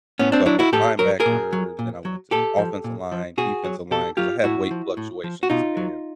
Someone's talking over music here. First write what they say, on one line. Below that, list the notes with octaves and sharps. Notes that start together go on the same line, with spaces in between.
so, I played linebacker, then I went to offensive line, defensive line, 'cause I had weight fluctuations, and
A2 B3 C#4
C4 D4
F#3 D4 E4
E4 F#4
A2 G4 A4
F#3 A#4
G#4 A#4
A#2
F#3
A#2
F#3
A#2 G4 A4
F3
A#2
F3
B2 F#4 G#4
F#3
B2 G4 A4
F#3 F4 G4
A2 E4 F#4
F3
A2
F3
F#4
B2 D#4 F4
F#3